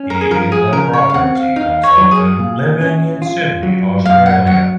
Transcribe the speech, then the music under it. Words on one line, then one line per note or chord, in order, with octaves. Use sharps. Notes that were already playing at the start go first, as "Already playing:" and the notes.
He is a property consultant living in Sydney, Australia.
Already playing: C#4
A#4
G#4
F3 A#4
G#4
C#3 A#4
C#5
F5
C4 F#5
F5
D#4 F5
C#5
F#3
G#4
A#2
C#4
F4
F#3
F#2 F5
F#5
F#3 F#5